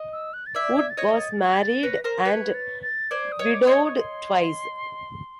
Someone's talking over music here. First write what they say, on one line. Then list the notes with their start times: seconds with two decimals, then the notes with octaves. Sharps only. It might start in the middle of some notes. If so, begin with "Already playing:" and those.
Wood was married and widowed twice.
Already playing: D#5
0.13 E6
0.33 F#6
0.46 A6
0.55 D5 E5 G#6
0.76 G#6
0.90 A6
0.97 C#5 D#5 A#6
1.19 A6
1.40 G#6
1.62 A6
1.83 B4 C#5 A#6
2.04 A#4 C5 A#6
2.25 B4 C#5 G#6
2.54 A6
2.82 A6
3.11 C5 D5 G#6
3.32 D#6
3.39 C#5 D#5
3.53 D6
3.65 C#5 D#5 C6
3.74 C#6
3.96 C6